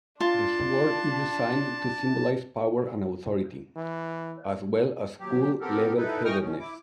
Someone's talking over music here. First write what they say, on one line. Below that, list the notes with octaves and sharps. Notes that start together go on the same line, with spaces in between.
The sword is designed to symbolize power and authority, as well as cool level-headedness.
D4 F4 A5 C6
E3
D#2 F#3 G4
B3 C4 G4 A4 A#4
D#4 E4 A4 B4
E3 D#5 G5 C#6 D#6 F6
B2 D#3 C#4
E4 D6